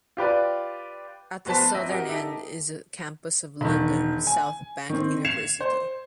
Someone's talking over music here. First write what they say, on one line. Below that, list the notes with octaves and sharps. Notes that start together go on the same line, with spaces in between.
At the southern end is the campus of London South Bank University.
F4 G4 B4 D5
F1 B3 C5 A5 B6
G#1 C4 D#5 E5 D#6
F#4 G4 A#4 D#5 F#5
D#4 G4 A4 E5
E1 D#3
G#5
D#3 C4
G#6 C7 C#7 E7 F7
C5